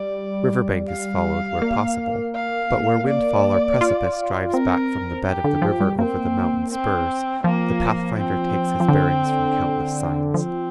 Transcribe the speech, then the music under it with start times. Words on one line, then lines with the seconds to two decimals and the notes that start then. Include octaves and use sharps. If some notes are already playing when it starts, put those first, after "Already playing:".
River-bank is followed where possible; but where windfall or precipice drives back from the bed of the river over the mountain spurs, the pathfinder takes his bearings from countless signs.
Already playing: G3 D5
0.90 F5
1.62 A#3
2.35 F5
3.08 D5
3.81 F4
4.52 C4 A#4
5.26 G4
5.44 D3
5.62 F3
5.80 G3
5.98 A#3 C4
6.71 C4
7.44 F3 A#3
8.16 C4
8.80 F3
8.88 D3
10.34 F3 C4